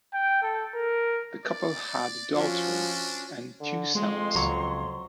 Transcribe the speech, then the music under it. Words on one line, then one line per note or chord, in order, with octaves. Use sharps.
The couple had a daughter and two sons.
G5
A4
A#4
D5
F3 C#4 D4 F#4
D3
F2 G#3 C6
C#2 F#3 A#5 C#6